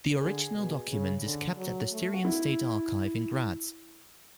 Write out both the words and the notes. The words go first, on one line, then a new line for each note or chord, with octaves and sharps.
The original document is kept at the Styrian State Archive in Graz.
D3 G#4
B2
C#3
D3
F#3
A3
F#4
E4